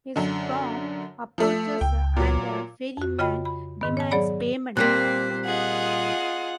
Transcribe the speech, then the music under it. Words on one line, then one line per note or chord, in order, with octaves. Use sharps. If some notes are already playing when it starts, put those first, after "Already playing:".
A storm approaches and the ferryman demands payment.
F#2 D3
F3 A3 E6
C#2 G5
A#2 F#3
F2 F#4
C#3 F4 D#5 G5 B5
B5
G#2 D#3 B3
C#5 A5
F#3 G#4 C#5 D5 B5
A#2 G3 A#3 C4 C5 F#6 B6
F4 G#4 D#5 F#5